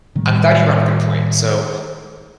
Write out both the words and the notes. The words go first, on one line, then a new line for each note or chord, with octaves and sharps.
I'm glad you brought up a good point. So,
A2 D#3 G3 A3